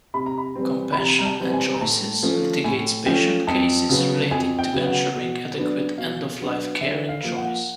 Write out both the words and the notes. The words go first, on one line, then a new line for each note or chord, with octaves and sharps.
Compassion and Choices litigates patient cases related to ensuring adequate end-of-life care and choice.
C3 B5
A#5
B5
E3 G3 C4
B5
C3 A#5
A#5
A5
E3 G3 C4
G#5
A#5
A2 A5
F3 A3 C#4
A2 G#5
F3 A3 C#4 G5
F2 A5
C#3 F#3 B3
F2 G#5
G5
C#3 F#3 B3
F#5
B2
F#3 B3 D4
B2 F5
F#3 B3 D4
D3 E5
F5
F3 A#3
F#5